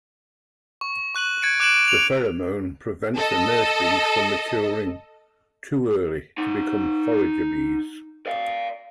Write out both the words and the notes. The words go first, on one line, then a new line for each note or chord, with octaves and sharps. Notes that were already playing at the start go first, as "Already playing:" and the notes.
The pheromone prevents the nurse bees from maturing too early to become forager bees.
C#6
C#6 F#6 D#7 F#7
G#6 A6 C#7 D7
D6 F#6 D7 E7 F#7
D7 F7
A4 D#5
D#4 F#5
D5 F5